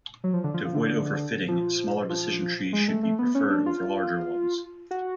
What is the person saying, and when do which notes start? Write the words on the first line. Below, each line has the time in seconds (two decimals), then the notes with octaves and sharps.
To avoid overfitting, smaller decision trees should be preferred over larger ones.
0.24 F#3
0.34 F3
0.44 D3
0.54 F3
0.65 F3
0.75 D3
1.48 F3
2.10 F3
2.73 G#3
2.88 A3
3.03 A3
3.19 B3
3.35 C#4
3.50 D4
3.66 F4
4.91 F#4